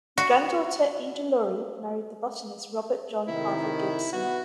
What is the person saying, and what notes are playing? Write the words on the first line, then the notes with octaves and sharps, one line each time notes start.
His granddaughter, Eda Lawrie married the botanist Robert John Harvey Gibson.
F#4
A2 C3 D#3 E4
B3 F#4